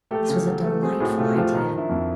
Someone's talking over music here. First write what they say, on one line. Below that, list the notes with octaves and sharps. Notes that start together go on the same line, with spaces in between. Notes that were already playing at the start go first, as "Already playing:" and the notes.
This was a delightful idea.
A3 G4 A4
C#3
F#3
A3
C4 F#4 G#4
A2 F#4 G#4
A3 F4 G4
F3 F4 G4
D#3
D#3
D4 E4
F2